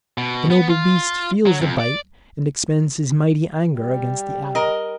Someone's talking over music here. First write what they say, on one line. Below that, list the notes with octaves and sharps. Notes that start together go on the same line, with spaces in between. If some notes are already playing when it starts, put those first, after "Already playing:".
The noble beast feels the bite, and expends his mighty anger against the atom.
B2
B3
F4
F#3
F2
D5
G3
A#4 D#5